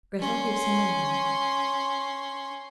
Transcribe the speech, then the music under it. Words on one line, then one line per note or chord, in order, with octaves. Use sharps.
Grettel gives him a knife.
C#4 C6